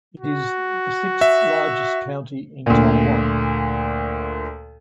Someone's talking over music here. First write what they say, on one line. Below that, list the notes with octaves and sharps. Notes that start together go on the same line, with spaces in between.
It is the sixth largest county in Taiwan.
F#4
E5
D2 A#2